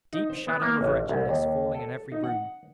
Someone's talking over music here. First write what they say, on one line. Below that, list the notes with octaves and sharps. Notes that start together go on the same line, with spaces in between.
Deep shadow of wretchedness falling in every room.
D#4
C5
B3
A#3
A1
C2
D#2
A4
D#4
F#5